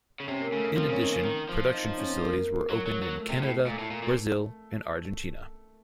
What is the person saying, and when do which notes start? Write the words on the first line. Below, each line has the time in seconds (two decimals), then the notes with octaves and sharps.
In addition, production facilities were opened in Canada, Brazil and Argentina.
0.20 C#3
0.28 C3 C#4
0.40 A#3
0.52 C#3 A3
0.65 A#3
0.76 F3 C4
0.89 C#3
0.93 C#4
1.01 D#3
1.09 C#3 A#3
1.25 D#3
1.49 F3
1.74 D#4
1.86 D#4
1.98 C#4
2.09 C4
2.22 A#3
2.70 F#3 A#3
2.86 F#3
3.02 F#3
3.18 A3
3.30 C3
3.43 A2
3.67 A#2 A3
3.79 A2
3.91 A#2
4.03 A#2